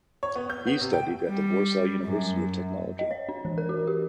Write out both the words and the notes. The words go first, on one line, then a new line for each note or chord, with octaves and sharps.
He studied at the Warsaw University of Technology.
C#5
B3
G6
B3
C3
G5
G3
F#2
D#5
C#5
D4
E3
A#4
F#4
G4